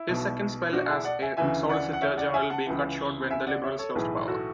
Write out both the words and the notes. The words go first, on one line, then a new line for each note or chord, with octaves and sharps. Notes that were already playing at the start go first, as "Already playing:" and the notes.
His second spell as Solicitor General being cut short when the Liberals lost power.
Already playing: E4
B1 B2
D4 F#4
E4 G#4
D5 F#5
E5 G#5
D2 C#3 E3 E5 G#5
D5 F#5
F#5
C#5 E5
D5 F#5
E5 G#5
F#5 A5
C#2 C#3 E3
E5 G#5
D5 F#5
C#5 E5
A4 C#5
B1 A2 E3 G#4 B4
F#4 A4